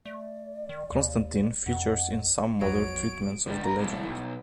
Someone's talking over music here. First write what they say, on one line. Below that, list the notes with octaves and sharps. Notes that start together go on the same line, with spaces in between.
Constantine features in some modern treatments of the legend.
A3 D5
D#3
D#2
F2 F#5
A#1 F2 F#3 B3 C#5 D7
D3 G3
B4 A#5
C2 A2
B1